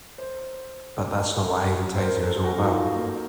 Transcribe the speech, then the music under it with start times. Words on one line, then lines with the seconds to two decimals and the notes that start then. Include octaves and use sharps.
But that's not what Avantasia is all about.
0.18 C5
1.95 C5
2.03 A#4
2.24 A4
2.44 F#4
2.59 D#4
2.65 F4
2.92 A#3